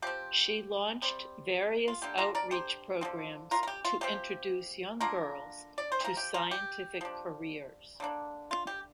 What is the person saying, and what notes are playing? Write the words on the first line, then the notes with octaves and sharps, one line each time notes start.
She launched various outreach programs to introduce young girls to scientific careers.
F3 C4 G4
C3 G3 C4
F4
D3 A#3 D4 G4
F4 A#4
A#4 D5
G4 C5
D3 F3 C4
F4 A#4
A#4
G4
F4
C3 F3 C4 G4
D3 A#3 D4 F4 A#4
D5
C5
C4
F3 A#4
G4
F4 A#4
G4
F3 D4
D3 A#3 D4
F4
G4